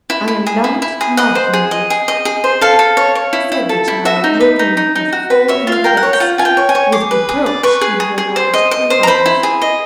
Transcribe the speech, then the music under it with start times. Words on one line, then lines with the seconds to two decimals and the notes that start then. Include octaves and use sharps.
"I am not mocking you," said the child, looking her full in the face, with reproach in her large blue eyes.
0.10 E4
0.28 E4
0.47 G#4
0.64 E4
0.82 E4
1.01 G#4
1.17 D#5 F#5
1.35 C5
1.53 G#4
1.71 D#5
1.90 G#4
2.08 D#5
2.25 G#4
2.44 C5
2.61 A4 F5
2.79 A4
2.97 C#5
3.15 C#5
3.33 E4
3.52 E4
3.69 A4
3.88 E4
4.05 F#4 E5
4.24 D#4
4.40 B4
4.59 D#4
4.77 D#4
4.95 D#4
5.13 F#4
5.30 B4
5.48 C#5 E5
5.67 F4 F5
5.84 A#4 G5
5.97 F#5
6.03 C#5
6.13 G5
6.20 F4 F#5
6.38 F4 G#5
6.45 G5
6.57 C#5
6.69 G#5
6.75 C#5
6.92 G#4 D6
7.11 B4
7.29 G#4
7.46 D5
7.63 B4 C#6
7.81 G#4
8.00 G#4
8.18 G#4
8.36 C5
8.54 D#5
8.71 D#5
8.90 C5
9.03 A#5
9.07 C5 B5
9.26 E4
9.43 G#4
9.62 D#5